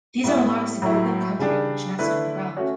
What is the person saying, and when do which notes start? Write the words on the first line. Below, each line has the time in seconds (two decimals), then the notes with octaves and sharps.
These are larks of open country which nest on the ground.
0.24 A2 G3 B3 E4
0.82 A2 F#3 A3 E4
1.39 C#3 G3 D4
1.99 D3 A3 E4 B4
2.57 A3 C#4 F#4 C#5